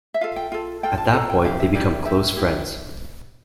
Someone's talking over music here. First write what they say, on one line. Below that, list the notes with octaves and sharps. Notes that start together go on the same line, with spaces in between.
At that point, they become close friends.
E5
F4 A4 F5
G5
F4 A4
F4 A4 G5
A5
F4 A4 A#5
G5
E4 G4 A#4 F5
E5
E4 G4 A#4 D5
E4 G4 A#4 E5
E4 G4 A#4